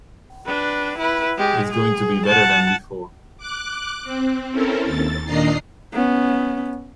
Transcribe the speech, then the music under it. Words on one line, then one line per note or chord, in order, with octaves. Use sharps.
It is going to be better than before.
D4 B4
E4 B4
G#3 G4
G#4
F#5 A5
D6 F#6
C4
C4 C#4 E4 A4 A#4
D#2 A6
A#2 D#3 D4 D#5 A#5 C7
B3 C#4